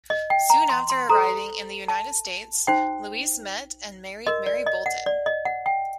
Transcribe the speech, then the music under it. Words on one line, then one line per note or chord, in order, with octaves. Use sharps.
Soon after arriving in the United States, Louis met and married Mary Bolton.
D#5
G5
A#5
C6
C6
F#4 A4 C5 A#5
A5
D#4 F#4 C5 G5
F#4 A#4 D#5
D5
D#5
F#5
D5
D#5
F#5
G5